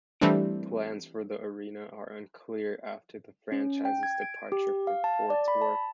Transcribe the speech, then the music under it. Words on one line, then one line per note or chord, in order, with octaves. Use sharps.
Plans for the arena are unclear after the franchise's departure from Fort Worth.
E3 G3 A3 C4 D4
C#4
G5
G#6
D7
G4
F5
A5
D5
B5
A5